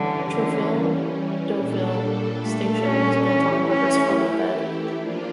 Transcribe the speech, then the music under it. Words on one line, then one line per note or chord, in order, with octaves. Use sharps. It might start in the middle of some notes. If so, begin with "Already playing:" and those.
Trouville-Deauville station was built on the river's former bed.
Already playing: D3 E3 G3 C#4
D3
A#2 G3 D4 A4
A3
C#4
E3 A3 C#4 E4 G4
C#4
F3 A#3 D4 F4